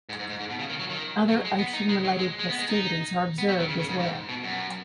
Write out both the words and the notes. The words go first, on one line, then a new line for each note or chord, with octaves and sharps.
Other ocean-related festivities are observed as well.
G#2
G#2
G#2
G#2
B2
C#3
D#3
F#3
D#3
F#3
G#3
B3
D#4
G#3
F#3
G#3
G#3
B3
G#3
D#4
B3
F#3
D#3
C#3
C#3
G#2
G#2
B2
F#2